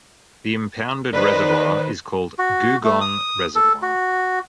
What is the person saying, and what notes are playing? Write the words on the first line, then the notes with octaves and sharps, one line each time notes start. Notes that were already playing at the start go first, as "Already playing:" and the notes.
The impounded reservoir is called Googong Reservoir.
D#3 B4 C5 D5
F#4
A3
D#6
A4
F#4